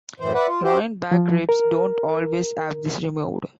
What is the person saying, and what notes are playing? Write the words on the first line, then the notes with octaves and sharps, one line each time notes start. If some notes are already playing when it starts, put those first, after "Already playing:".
Loin back ribs don't always have this removed.
F#2 A2 E3 C5
B4 D5 E5 F#5
F4
F#4 G4 C5
F3
A#4